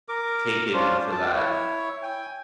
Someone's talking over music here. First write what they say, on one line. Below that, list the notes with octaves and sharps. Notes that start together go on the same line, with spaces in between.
take into that
A#4 D6
C#4 D4 F4 C5
A5 D6
E4 C#5
G5 G#5